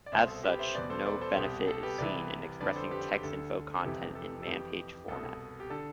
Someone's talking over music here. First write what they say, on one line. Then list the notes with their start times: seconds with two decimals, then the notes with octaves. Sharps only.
As such, no benefit is seen in expressing Texinfo content in man page format.
0.06 D5
0.12 C2 B2 C5 E5
0.28 A4 C5
0.43 G4 B4
0.59 C5 E5
0.74 E2 B2 B4 D5
0.90 A4 C5
1.06 B4 D5
1.21 A4 C5
1.37 C2 B2 G4
1.68 A4
1.83 G4 B4
1.98 C2 C3 E3 B4 D5
2.61 F2 D3 B4 D5
2.76 A4 C5
2.91 G4 B4
3.18 G4
3.23 D2 D3 A4
3.79 A4
3.84 F2 C3 E3 G4 B4
4.15 A4
4.42 A4
4.46 F2 E3 G4
5.08 C2 B2 A4
5.60 G4
5.70 D3 A4